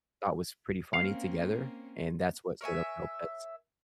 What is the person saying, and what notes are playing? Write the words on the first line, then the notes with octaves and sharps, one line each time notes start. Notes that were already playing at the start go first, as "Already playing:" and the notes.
thought was pretty funny together and that's what sort of helped us,
A#3 C4 C#4 F5
A#4 C#5 E5 G#5